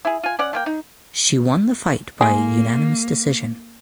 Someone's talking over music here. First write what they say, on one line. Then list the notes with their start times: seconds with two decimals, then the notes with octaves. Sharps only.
She won the fight by unanimous decision.
0.05 E4 G#4
0.23 F4 G#5
0.39 C#4 D5 F#5
0.53 A3 A#3 G5
0.66 D#4
2.21 G#3 A#3 G#4